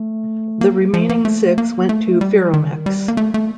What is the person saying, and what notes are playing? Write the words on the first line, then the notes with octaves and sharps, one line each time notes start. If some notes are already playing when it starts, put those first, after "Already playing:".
The remaining six went to Ferromex.
Already playing: A3
A#3
F3
A#3
A3
A#3
A3
G3
D#3
G3
A#3
A3
A3